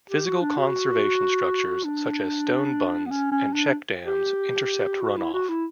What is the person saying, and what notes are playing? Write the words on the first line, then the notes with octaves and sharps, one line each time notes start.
Physical conservation structures such as stone bunds and check dams intercept runoff.
G4
F#4
D4
F#4
D4
B3
C#4
C#4
D4
G4
F#4
E4
F#4
E4